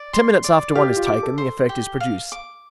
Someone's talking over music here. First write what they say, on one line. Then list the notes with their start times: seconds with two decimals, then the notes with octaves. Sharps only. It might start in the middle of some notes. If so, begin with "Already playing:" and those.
Ten minutes after one is taken, the effect is produced.
Already playing: D5
0.13 C6
0.44 D5
0.76 G4 F5
0.97 F4
1.07 G4 D6
1.23 A4
1.38 C5
1.69 G4
2.00 F5
2.32 D6